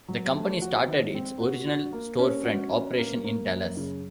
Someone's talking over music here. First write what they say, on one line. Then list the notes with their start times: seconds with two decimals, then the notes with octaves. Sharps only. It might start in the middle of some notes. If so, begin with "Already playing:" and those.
The company started its original storefront operation in Dallas.
0.08 F#3
0.35 A3
0.62 F#4
0.87 D#3
1.15 C4
1.40 F#4
1.67 F#4
1.93 A#3
2.19 C#4
2.45 F#4
2.71 C#4
2.98 A#3
3.24 A#3
3.50 F#2
3.77 C#3